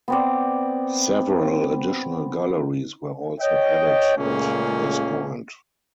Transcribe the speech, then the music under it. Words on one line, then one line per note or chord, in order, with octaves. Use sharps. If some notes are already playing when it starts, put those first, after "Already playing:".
Several additional galleries were also added at this point.
B3 C4 D5
C#5 D#5 G5
C#2 A#2 C#3 A3 A#3 C#4